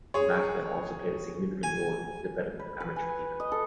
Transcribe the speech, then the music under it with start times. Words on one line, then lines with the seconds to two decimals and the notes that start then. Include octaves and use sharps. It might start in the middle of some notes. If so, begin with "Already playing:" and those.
The Matica also played a significant role in the development of amateur theatre.
0.14 G#4 C#5
1.63 G#5
2.59 B4
2.80 B4
2.96 G#5
3.40 D#5
3.52 A4